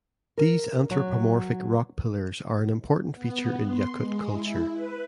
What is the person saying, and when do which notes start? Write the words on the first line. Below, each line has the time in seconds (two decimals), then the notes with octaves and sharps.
These anthropomorphic rock pillars are an important feature in Yakut culture.
0.38 A#4
0.91 F#3
3.13 B3
3.66 C6
3.96 G#3
4.32 E4
4.72 B4